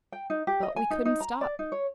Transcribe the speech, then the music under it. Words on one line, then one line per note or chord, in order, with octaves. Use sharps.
But we couldn't stop.
G5
D#4
G4
D#5
G#5
D#4
D#4
A#5
D5
D#4
C#5